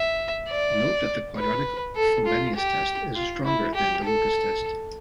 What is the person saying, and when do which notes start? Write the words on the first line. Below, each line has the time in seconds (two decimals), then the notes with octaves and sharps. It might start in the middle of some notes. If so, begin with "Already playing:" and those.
Note that the quadratic Frobenius test is stronger than the Lucas test.
Already playing: E5
0.48 D5
1.37 B4
1.96 A4
2.26 F4
2.56 G4
3.16 F4
3.45 E4
3.74 G4
4.04 A4